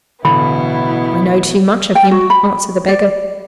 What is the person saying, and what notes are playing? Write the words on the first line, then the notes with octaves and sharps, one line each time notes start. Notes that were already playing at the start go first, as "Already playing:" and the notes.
"I know too much of him," answered the beggar.
A1 B2 D3 B3 E4 B5
G5
F#4
B5
D5